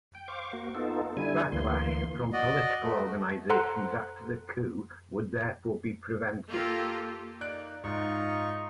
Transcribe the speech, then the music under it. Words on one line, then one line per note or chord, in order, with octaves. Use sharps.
Backlash from political organizations after the coup would therefore be prevented.
G5
C5 F5 C#6 D6
A#3 F#4
B3 D#4 F4 A4
D3 G3 E4 G#5
D2 E3 A#3 C6
F#4 D5 D#5
A3
A4 C5 F#5 A#5 C6 F#6
A#3 F4 G4 A4
A#3 D#4 D5 F#6 D7
G#2 D#4 F4 C#6